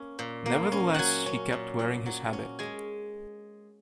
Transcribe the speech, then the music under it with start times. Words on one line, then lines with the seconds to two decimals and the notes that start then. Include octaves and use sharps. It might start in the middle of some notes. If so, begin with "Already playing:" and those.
Nevertheless, he kept wearing his habit.
Already playing: A#3 C#4
0.19 A#2
0.46 A#3
0.72 C#4
0.94 F#3 F#5 G#5
1.26 C#4
1.52 A#2
1.79 A#2
2.06 F#3
2.33 C#4
2.59 G#3 G#5